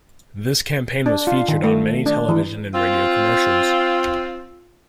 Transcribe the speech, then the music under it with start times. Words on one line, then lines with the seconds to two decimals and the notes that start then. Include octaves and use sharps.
This campaign was featured on many television and radio commercials.
1.06 D4
1.27 F4
1.48 D#3
1.64 A3
2.06 D4
2.29 E3
2.74 C4 F4